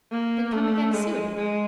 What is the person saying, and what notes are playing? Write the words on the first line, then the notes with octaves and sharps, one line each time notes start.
Then come again soon.
A#3
A3
G#3
G#3